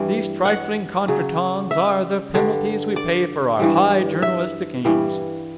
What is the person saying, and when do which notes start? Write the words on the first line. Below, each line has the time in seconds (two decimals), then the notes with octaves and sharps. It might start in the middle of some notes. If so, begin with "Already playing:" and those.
These trifling contretemps are the penalties we pay for our high journalistic aims.
Already playing: G2 E3 G3
0.45 F#5
1.08 C#3 F#3
1.71 E5
2.34 G2 D3 G3
2.96 D5
3.59 G2 E3 G3
4.22 E5
4.85 G2 E3 G3